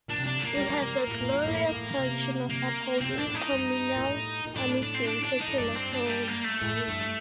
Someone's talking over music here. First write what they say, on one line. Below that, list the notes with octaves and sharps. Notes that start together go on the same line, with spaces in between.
It has the glorious tradition of upholding communal amity and secular solidarity.
A#2 D4
C3
D4
A3
A#2 A#3
G3
G3
C3
A2
A#2
G2
A2
A2
C3
A#3
C3 C4
A#2 D4
A2
D#4
G2
A#2
A2
A#2
A2 D4
D4
C4
D4
D4
D#4
A2
G2 D4
C4
D4
A3
G3
A#3
A3
A2
G2